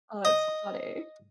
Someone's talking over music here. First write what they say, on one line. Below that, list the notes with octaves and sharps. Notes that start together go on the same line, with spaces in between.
Oh, that's funny.
D#5